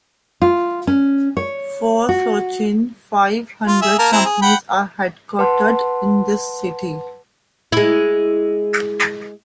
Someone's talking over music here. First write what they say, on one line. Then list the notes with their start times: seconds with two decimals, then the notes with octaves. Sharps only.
Four Fortune Five Hundred companies are headquartered in this city.
0.42 F4
0.87 C#4
1.37 C#5
2.09 F#4
3.67 F4
3.82 G#4 E5
3.99 A#3 A#4 A5
4.12 C4 E4 A#5
4.25 G#4
4.42 F#5 G5 B5
5.39 B4 F#5 A5 C6
7.72 G#3 E4